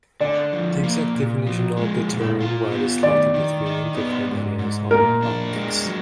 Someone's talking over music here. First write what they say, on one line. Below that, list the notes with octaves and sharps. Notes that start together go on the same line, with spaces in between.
The exact definition of the term varies slightly between different areas of optics.
D3 D5
F3
A#3
A#2
F3
G#3
A#2
F4
B3
D#3 D5
D#3
D#4
B3
G#2
G#2
A#2 A#4
D4
G#3
F#3